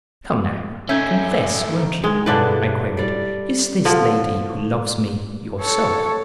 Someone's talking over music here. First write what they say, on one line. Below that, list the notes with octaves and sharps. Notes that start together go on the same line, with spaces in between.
"Come now, confess, won't you," I queried, "is this lady who loves me yourself?"
A3 C#4 D#4 E5 G6
D#3 G#3
G2 B2 D3 D4 E4 B4
G3 D5
D3 F3
A4 C#5